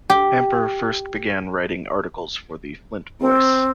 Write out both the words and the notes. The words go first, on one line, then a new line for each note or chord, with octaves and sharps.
Hamper first began writing articles for the "Flint Voice".
G4
C4